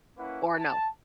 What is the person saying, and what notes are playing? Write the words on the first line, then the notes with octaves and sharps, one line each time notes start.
or no?
A#3 C#4 E4 B4 F#5
A5